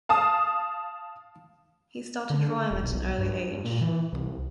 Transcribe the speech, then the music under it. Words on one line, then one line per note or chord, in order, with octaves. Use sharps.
He started drawing at an early age.
F5 A5 D#6
D3
D#1
B1
G2
G2
A#2
E3
C2